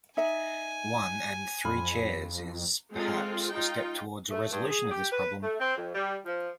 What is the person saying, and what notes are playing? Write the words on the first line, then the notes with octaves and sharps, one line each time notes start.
"One and Three Chairs" is, perhaps, a step towards a resolution of this problem.
D#4 E5 G#5
F2 F4 B5
G#3 C4 F4 A4
D#4 F4 G5
A3
G2
G#4
G4
B4
A3
C4
F2
G3
F3